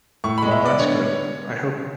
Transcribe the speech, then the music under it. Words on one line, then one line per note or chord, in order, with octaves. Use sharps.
Well, that's good, I hope it
A2 C#6
B5
G#3
E5
B3 D5
D3 C#5